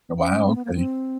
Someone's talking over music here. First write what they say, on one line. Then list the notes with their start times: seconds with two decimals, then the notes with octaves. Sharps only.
Oh, wow. Okay.
0.17 C#4
0.46 C4
0.55 B3
0.65 A#3
0.74 C4